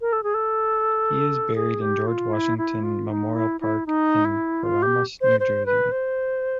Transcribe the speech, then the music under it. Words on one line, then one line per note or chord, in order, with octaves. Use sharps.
He is buried in George Washington Memorial Park in Paramus, New Jersey.
A#4
A4
G#4
A4
G#4
G4
F4
E4
E4
F4
D#4
E4
E4
D#4
E4
F4
G4
C5
C5
B4
C5